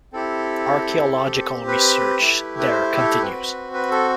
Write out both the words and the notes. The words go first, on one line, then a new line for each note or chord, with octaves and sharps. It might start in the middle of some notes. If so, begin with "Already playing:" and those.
Archaeological research there continues.
C4 E4 G4 A4
C4 G4
B4
A3 E4 G4
B4
C5
A4
C4 F#4 B4
B4
A4